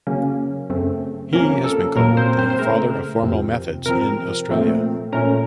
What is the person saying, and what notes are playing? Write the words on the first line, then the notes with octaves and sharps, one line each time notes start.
He has been called "The Father of Formal Methods in Australia".
C#3 F#3 A#3 C#4
F#2 C#3 A3 C4
C3 F3 A#3 C#4 A#4
A4
A#2 F#3 A#3 A#4
C4 C5
C4 C5
C5
C#3 A3 C4 A#4
F2 C3 F3 C4
C3 F3 C4 A#4
A#2 F3 A3 C4
A#2 A3 C#4 A#4